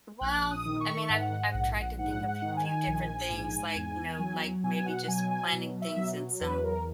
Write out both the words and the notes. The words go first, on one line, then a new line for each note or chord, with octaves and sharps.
Well, I mean, I've I've tried to think of a f few different things, like, you know, like maybe just planting things in some,
A#1 F#6
D#6
D#3
C#6
E5
G#2 F#5
A#1
G#2 F#5
F#5
D#3
G#5
A#1
G#2
E2
F#3
B2 G#5
G#5
F#5
F#3 G#5
G#5
B2
E5
F#3
E2 B4
A#4